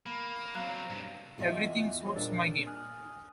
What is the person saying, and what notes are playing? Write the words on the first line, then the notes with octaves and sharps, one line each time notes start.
Everything suits my game.
A#3 B5
F#3 C4 F5 A#5 F#6
G2 C3
E2 F4 D#5 E5 G#5
G3 G#4 C5 C#5 D#5
A#2 A#3 D4 A#4 E6 A6
G#5 D#6 F6 F#6